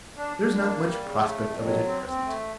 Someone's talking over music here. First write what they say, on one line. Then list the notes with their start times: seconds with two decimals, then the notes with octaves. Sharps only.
There is not much prospect of it at present.
0.17 D4
0.37 D4
0.59 A#3
0.79 G3
1.01 C#3
1.22 A3
1.42 F2
1.63 F#3
1.85 C4
2.06 C4
2.25 A3